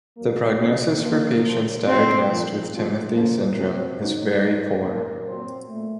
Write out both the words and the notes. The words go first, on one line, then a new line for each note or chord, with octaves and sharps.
The prognosis for patients diagnosed with Timothy syndrome is very poor.
D#2 D#3 F#3 A#3
D#2 C#3 F3 C4
F#2 F3 A#3
A#2 F3
A#2 F#3 C4
A#2 F3
F#2 F3
F2 C#3 F3 A#3
F2 C3 F3 C4
D#2 C#3 F#3 D#4
A2 F3
D#2 C#3 F3 A#3
A#2 F#3 C4
A#2 A3